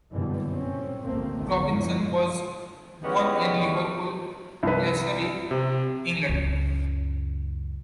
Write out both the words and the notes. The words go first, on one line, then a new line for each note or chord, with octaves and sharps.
Robinson was born in Liverpool, Lancashire, England.
F#1 G2 B2 D3 E3 G3
A#2 C4 C#4
G#1 D2 A3 A#3 C4
A1 F2 B2 D3 A3
F#1 E2 A2 C#3 E3 F3
G3 G#3 B3 C#4 D#4 E4
C2 B4
C3
C#2 F#2